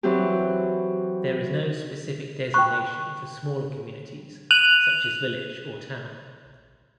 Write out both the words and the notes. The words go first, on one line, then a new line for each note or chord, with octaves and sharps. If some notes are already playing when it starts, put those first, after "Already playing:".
There is no specific designation for smaller communities such as "village" or "town".
E3 F#3 C4 E4 G4
G5 C#6 F#6
F#6 D#7 F7 F#7